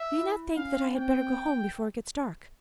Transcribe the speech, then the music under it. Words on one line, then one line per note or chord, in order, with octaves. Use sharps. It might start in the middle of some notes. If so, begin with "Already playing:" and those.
"Do you not think that I had better go home before it gets dark?"
Already playing: E5
E4
C#4 F5
C4 G5